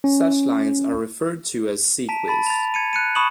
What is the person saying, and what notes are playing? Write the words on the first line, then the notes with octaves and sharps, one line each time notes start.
Such lines were referred to as "ceques".
C#4
A5 A#5 B6 D7
A5 B5 A6
A6 F7
G#6 C#7 D#7
F#6 C#7 D#7
B5 C#6 D#6 E7 F#7